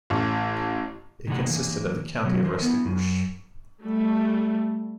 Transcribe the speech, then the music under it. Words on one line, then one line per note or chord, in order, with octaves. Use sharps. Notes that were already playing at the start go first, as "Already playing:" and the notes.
It consisted of the County of Restigouche.
A1
A2 C3 E3 D#4 G4 F#5
E3 A#3
B2 F#3
E3 C5
B3 E4
F#2
G3 A3